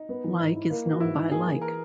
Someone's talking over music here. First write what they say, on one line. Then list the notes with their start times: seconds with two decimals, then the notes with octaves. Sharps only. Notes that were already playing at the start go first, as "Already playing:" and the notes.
Like is known by like.
Already playing: D#4
0.09 B3
0.24 E3
0.39 G#2 D#4
0.55 E4
0.70 A#3
0.86 E3
0.91 F#4
1.00 G#2 E4
1.16 D#4
1.31 A#3 G#4
1.47 E3
1.62 A#4